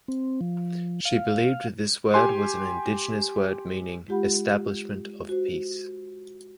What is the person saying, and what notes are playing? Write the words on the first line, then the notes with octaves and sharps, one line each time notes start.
She believed this word was an indigenous word meaning "establishment of peace".
C4
F3
F5
G4 G#5 C6
G#3 F4 G4 F#5 B5
F#4 C5